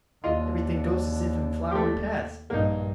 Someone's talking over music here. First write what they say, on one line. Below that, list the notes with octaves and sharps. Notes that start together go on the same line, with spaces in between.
"Everything goes as if in flowery paths."
D#2 D4 F4 D#5
A3 G4
A#1 G2 A#3 D#4